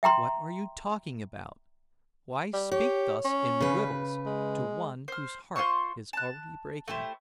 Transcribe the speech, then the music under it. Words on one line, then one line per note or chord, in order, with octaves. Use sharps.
"What are you talking about--why speak thus in riddles to one whose heart is already breaking?"
E5 G5 A#5 C6
G3
G4 C#5
C#4
C#3 B4
G#3
C5 F6
F4 C5 C6 C#6
A5 F#6
A3 E4 G4 C5